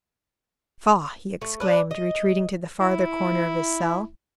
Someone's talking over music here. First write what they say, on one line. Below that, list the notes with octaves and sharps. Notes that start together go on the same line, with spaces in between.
"Faugh!" he exclaimed, retreating to the farther corner of his cell.
A3
D4 B4
D#5
E4